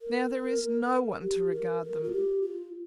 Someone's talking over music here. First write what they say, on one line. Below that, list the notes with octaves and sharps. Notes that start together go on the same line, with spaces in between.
Now there is no one to regard them.
A#4
G4
A#4
A#4
F4
G4
F4